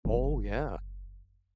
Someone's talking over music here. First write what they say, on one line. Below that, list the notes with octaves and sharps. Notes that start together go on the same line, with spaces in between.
Oh, yeah.
F#1